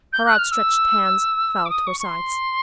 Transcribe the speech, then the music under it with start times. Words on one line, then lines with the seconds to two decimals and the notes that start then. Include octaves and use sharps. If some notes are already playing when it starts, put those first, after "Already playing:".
Her outstretched hands fell to her sides.
0.13 G6
0.26 F#6
0.38 F6
0.52 E6
1.66 D6
1.70 D#6
1.87 C#6
2.00 C#6
2.05 C6